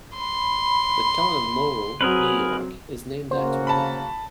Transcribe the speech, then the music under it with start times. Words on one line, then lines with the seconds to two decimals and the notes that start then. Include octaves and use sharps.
The town of Moreau, New York is named after him.
0.15 B5 C6
2.01 F#3 C4 G#4 A#4 B4
3.31 C#3 A#3 F#4 C5
3.67 A5 B5